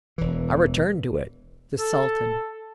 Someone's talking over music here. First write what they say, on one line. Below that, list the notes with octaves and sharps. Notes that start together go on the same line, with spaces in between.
I returned to it--the Sultan.
E1 E3
A4